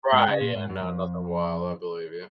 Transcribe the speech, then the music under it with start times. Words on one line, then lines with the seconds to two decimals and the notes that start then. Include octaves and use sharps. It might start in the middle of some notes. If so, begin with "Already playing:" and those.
Right, yeah, no, nothing wild, I believe you.
0.13 G#2 G#3
0.27 C#3
0.41 A#2
0.55 G#2
0.70 F#2
0.83 F2